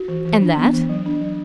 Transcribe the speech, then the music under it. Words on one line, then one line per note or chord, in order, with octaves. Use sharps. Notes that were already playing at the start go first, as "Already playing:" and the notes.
"And that?"
Already playing: F#4
E3
E3
D4
B3
E3
F#3
D4
F#3